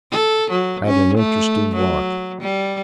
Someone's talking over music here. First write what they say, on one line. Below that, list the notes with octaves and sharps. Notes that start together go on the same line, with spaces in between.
Had an interesting walk.
A4
F#3
C#4
A3
F#3
G3